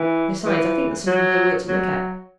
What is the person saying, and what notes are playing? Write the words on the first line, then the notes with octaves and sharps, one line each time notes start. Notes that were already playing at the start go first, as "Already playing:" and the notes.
Besides I think there's something here we ought to look at.
Already playing: E3
E3
F#3
F#3